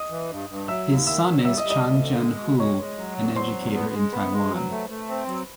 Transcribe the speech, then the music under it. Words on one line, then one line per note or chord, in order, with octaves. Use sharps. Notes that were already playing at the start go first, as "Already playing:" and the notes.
His son is Chang Jen-Hu, an educator in Taiwan.
Already playing: D#5 D#6
E3
G2
G2
F#3 E5 E6
D#2
D#3 E5 E6
F#3
G3 E5 E6
D#5 D#6
G3
D#5 D#6
D2
D3
G#3
B2
G#3 C#5 C#6
G#3
F#3
E2
F#3 C5 C6
E2
B3
G#3
B3 B4 B5
G#3
F#3
A3
A3
C4
F#3